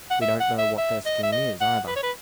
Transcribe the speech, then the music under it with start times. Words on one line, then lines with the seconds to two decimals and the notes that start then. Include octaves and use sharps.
We don't know what their scheme is either.
0.10 F#5
0.21 E5
0.40 F#5
0.58 E5
0.77 E5
1.05 D#5
1.23 E5
1.32 D#5
1.60 F#5
1.87 B4
1.96 C#5
2.03 B4